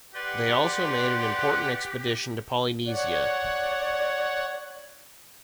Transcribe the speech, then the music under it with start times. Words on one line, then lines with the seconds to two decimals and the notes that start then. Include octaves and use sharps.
They also made an important expedition to Polynesia.
0.15 G4 B4 D5 F#5 C6
2.86 C#5 D5 F#5